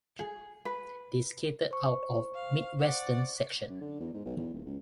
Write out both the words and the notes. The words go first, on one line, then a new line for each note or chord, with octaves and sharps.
They skated out of Midwestern Section.
G#4
B4
C5 C#6
F5
D5 F#5
F#2
D3
E2
G#2
B1
E2
D#1
C#2